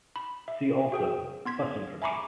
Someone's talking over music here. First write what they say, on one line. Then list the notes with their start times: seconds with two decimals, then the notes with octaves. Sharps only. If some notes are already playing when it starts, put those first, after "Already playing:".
See also bus encryption.
0.16 B5
0.48 E5
0.92 F#4 G#4 G5
1.45 B3 C6 G#6 B6
2.02 E5 G#5 A#5 B5 C#6 D6